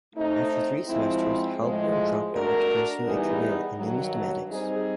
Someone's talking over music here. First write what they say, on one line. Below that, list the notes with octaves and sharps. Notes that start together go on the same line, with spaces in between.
After three semesters, Halperin dropped out to pursue a career in numismatics.
A3 C4 D#4
F3 G#3 C4 E4
A2 F3 G#3
A3 D4 F#4 A#4
E3 G3 B3 D#4 G#4
G2 D#3 F#3
G3 C4 D#4 G#4